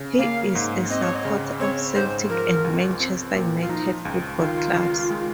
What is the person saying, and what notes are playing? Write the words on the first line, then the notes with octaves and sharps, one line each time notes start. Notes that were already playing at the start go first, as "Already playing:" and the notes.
He is a supporter of Celtic and Manchester United football clubs.
Already playing: C#3
A#3 F5
G#2
C4 D#5
C#5
D#5
C#3
C4 C#5
G#2 C5
F3 A#4
C#2
C4
A#2
F4
F3 D#4
C#2
D#3 F4
C#2
G#3